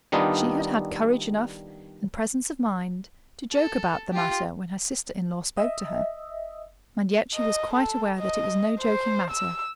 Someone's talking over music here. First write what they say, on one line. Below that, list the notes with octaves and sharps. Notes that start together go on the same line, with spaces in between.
She had had courage enough, and presence of mind, to joke about the matter when her sister-in-law spoke to her, and yet she was quite aware that it was no joking matter.
D#3 G3 B3 D4 D#4 F4
A4
F4 G4
D#5 E5
D#5
A4
D#5
C5
E6